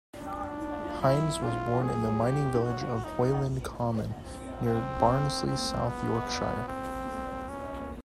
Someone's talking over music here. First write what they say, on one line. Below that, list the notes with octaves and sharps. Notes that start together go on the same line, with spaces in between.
Hines was born in the mining village of Hoyland Common near Barnsley, South Yorkshire.
D4
E4
F4
G#4
G4
F#4
D#4
C4
C4
C4
B3
C4
C#4